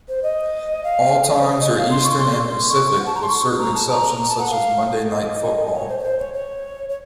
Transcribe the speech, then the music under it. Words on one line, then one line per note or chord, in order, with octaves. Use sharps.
All times are Eastern and Pacific, with certain exceptions, such as "Monday Night Football".
C5
D#5
F5
C5
C#5
D#5
F5
C6
C#6
C6
C#6
F#5
A5
A#5
C6
C#6
A#5
A5
A#5
A5
F#5
F5
D#5
D#5
C#5
C5
C#5
C5
C#5
C#5
C#5